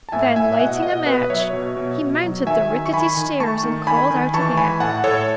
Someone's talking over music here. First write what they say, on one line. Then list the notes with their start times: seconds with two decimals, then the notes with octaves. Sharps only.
Then, lighting a match, he mounted the rickety stairs and called out again.
0.09 A5
0.12 A2 E5 G#5
0.36 A2 E5 G#5
0.52 E5
0.59 B2 D#5 F#5
0.82 B2 D#5 F#5
1.06 B2 B4 D#5
1.30 F#3 C#5 E5
1.53 B2
1.77 B2
2.00 B2
2.23 F#3
2.46 D#3 E5 G#5
2.70 D#3
2.86 C#6
2.93 D#3 G#5 B5
3.17 D#3
3.40 A3 A5 C#6
3.64 D#3
3.87 D#3 G#5 B5
4.11 D#3
4.34 E3 A5 C#6
4.57 E3 G#5 B5
4.80 A2 F#5 A5
5.04 A2 A4 C#5